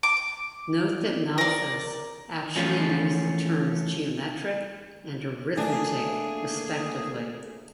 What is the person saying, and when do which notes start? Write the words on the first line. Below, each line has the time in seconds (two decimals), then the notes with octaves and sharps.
Note that Malthus actually used the terms geometric and arithmetic, respectively.
0.03 D6
1.38 A#4 D5
2.56 E3 F3 A3 C#4 F4 G#4
5.57 A3 A#3 D4 G#4 G#5